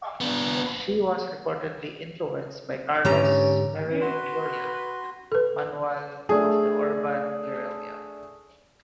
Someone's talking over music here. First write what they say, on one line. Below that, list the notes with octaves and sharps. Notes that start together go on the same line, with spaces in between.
She was reportedly influenced by Carlos Marighella's "Manual of the Urban Guerilla".
B3 D4
G#2 D3 C#4 G4 A#5
F#4 B4 C6
A4 B4
A3 D4 G#4